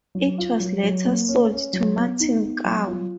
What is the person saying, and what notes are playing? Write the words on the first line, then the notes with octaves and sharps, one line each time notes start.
It was later sold to Martin Kao.
F#3
F4
F#3
F#3
A#3
C#4
C#4
F#3
B3
D#4
B3
F#3
F4